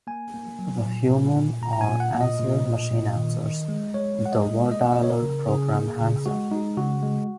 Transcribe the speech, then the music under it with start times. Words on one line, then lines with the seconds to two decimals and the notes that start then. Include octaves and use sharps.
If a human or answering machine answers, the wardialer program hangs up.
0.07 A#3 G#5
0.34 A#3
0.59 F#3
0.85 A#2
1.11 A#2
1.36 A#2
1.62 A#2 A#5
1.73 A#5
1.81 G#5
1.88 A#2
2.00 F#5
2.13 A#2
2.21 D#5
2.39 A#2
2.65 A#2
2.91 A#2
3.16 D#3
3.43 D#3
3.68 G#3
3.94 G#3 C#5
4.20 G#3
4.25 F#5
4.32 D#5
4.46 G#3
4.71 A#3 D#5
4.81 F#5
4.92 A#3 D#5
5.03 C#5
5.10 A#4
5.22 C#3
5.48 C#3 G#4
5.75 A#3
6.01 C#3
6.26 G#3 F#4
6.51 G#3 D#4
6.77 C#3 F#4
7.03 G#3